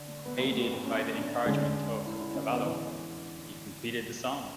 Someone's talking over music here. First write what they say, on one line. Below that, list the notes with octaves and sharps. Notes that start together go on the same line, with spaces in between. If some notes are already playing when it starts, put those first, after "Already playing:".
Aided by the encouragement of Cavallo, he completed the song.
Already playing: D3
B3
A3
B3
C#4
D4
D3 G#3 C#4
E4
E4
C#4
B3
E3